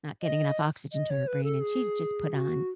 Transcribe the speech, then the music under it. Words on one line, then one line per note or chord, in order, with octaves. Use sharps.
not getting enough oxygen to her brain, and she just put on,
D#5
D#5
C#5
B4
A4
G#4
G#4
F#4